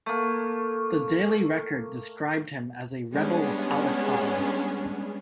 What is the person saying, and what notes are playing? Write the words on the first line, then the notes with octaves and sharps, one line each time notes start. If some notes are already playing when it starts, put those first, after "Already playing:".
The Daily Record described him as a "rebel- without-a-cause".
A3 A#3
G3 G#3 B3 C#4 D4 G#4